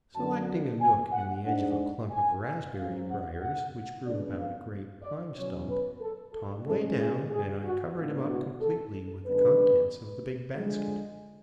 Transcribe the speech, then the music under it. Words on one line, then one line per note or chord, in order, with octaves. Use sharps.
Selecting a nook in the edge of a clump of raspberry briars which grew about a great pine-stump, Tom lay down, and I covered him up completely with the contents of the big basket.
F#2 D3 F#3 A5
G#5
F#5
G#2 G#3 D4 F#5
G#5
G#2 F#3 C#4 F5
F#5
F#5
F2 C#3 G#3 B3 D4 D5
F5
D5
B2 F#3 C#4 C#5
B4
A4
A4
G#2 G#3 C#4 A4
G#4
G#4
F#4
A2 G#3 B3 D4 F4
F#4
A4
F#2 D3 G#3 B3 D4 B4
D3 F3 G#3